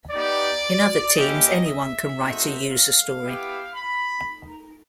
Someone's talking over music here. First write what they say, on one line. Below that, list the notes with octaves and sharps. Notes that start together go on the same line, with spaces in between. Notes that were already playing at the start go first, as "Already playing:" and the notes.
In other teams, anyone can write a user story.
B3 D#4 G4 D5
A#3 C#4 E4 G4 D#5
E5
A3 C4 D#4 F#4
F5
B3 E4 G4
B5